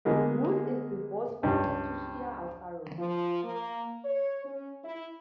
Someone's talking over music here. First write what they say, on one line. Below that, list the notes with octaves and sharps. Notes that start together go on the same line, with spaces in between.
Wood is divorced from Patricia Alfaro.
D3 G#3 A#3 B3
C#2 G2
F3
A#3
C#5
C#4
E4